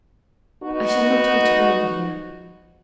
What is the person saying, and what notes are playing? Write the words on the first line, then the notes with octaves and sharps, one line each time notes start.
I shall not get well here.
B3 D#4 F#4